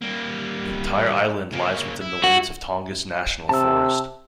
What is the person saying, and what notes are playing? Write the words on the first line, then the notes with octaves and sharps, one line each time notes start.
The entire island lies within the limits of Tongass National Forest.
G3 A#3
C#3 A#3
E4
F#4
C3 A5 E6